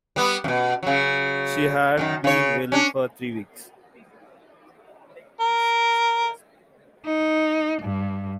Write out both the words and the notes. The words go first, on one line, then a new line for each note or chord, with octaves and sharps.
She had been ill for three weeks.
G3 B3
F#2 B2
C#3 F#3
F#2 D3 D#3
C#3 C#5
C#4 D4
A#4
D#4
G2